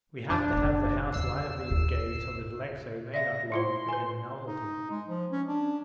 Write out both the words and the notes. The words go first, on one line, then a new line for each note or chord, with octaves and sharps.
We have to have the house lively and gay, so that Alexey may not long for any novelty.
F2 C4 D4
F#1 C#4
E2 C#3 E6 C7
G1 D#2
D5 E5 F5 A#6
E4 F4 C5 C6
B4 G#5
D#4
G#3
F3
C#4
D4